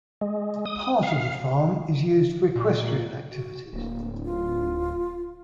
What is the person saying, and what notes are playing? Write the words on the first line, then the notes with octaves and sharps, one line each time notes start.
Part of the farm is used for equestrian activities.
G#3
D#6
F5
A#2
F#4
D1 A#3
F4